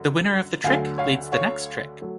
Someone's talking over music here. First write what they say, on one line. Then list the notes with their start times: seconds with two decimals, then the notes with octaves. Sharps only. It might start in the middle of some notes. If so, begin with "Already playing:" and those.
The winner of the trick leads the next trick.
Already playing: F#2 D3
0.64 D2 D3 F#3 A3 F5 G#5
0.98 C#5 F5
1.32 C#5 F5
2.01 F#3 A3